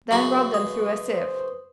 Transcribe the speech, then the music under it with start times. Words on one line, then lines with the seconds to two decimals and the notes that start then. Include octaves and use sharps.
Then rub them through a sieve.
0.11 F#2 C#3 F#4 B4
0.54 D#6
1.10 C5